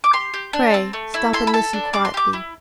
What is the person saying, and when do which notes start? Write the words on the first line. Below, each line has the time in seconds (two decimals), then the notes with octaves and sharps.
Pray, stop and listen quietly.
0.04 D6
0.13 G4 C6
0.34 G4
0.53 D4
0.74 C4
0.93 A3
1.14 E4
1.33 A4 C6
1.47 B5
1.54 A4 A5
1.73 D4
1.93 C4 D6
2.05 C6
2.14 G4 D6
2.33 E4